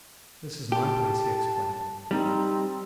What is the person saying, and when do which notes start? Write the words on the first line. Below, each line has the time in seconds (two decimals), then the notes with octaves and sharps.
"This is my place," he explained.
0.72 G4 A5
2.11 G3 C4 D#4